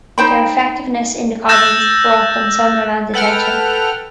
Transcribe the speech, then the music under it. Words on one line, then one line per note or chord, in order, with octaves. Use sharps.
Their effectiveness in the Commons brought them Sunderland's attention.
D#4 C5 G5 B5
E6 F#6 G6 A6 A#6 E7
A4 B4 F#5 G5 F6